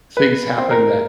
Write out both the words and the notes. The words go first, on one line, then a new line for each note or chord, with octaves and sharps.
things happen that
B4
C4
A#4